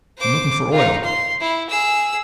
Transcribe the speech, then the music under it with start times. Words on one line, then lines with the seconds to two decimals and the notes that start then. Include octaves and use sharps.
I'm looking for oil.
0.18 C5 D6
0.72 D#4 F4
1.04 C6
1.40 E4
1.69 G#4 E6